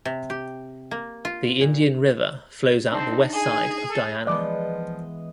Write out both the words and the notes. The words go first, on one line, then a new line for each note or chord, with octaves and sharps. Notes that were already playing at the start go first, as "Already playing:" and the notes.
The Indian River flows out the west side of Diana.
C3
G4
A#3
F4
A#2
C4 D4 D#4 A5
G#4 G#5
A4
E3 F3 G#3 B3 D5 D#5